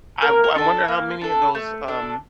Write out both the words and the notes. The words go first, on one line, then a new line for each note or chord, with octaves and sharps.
I'm I wonder how many of those, um
A#3 A#4
A#4
D4 A4
A#3
D4 A4
A3
D4 A4